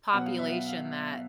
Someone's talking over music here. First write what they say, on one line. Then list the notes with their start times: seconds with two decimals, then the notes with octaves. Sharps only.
population that
0.13 B2 F#3 B3 F#5
0.26 F5
0.39 E5
0.52 F5
0.68 F5